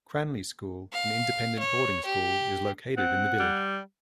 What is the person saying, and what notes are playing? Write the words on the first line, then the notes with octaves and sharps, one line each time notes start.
Cranleigh School, an independent boarding school, is located in the village.
F5
C#5
G4
C4 F#5
G3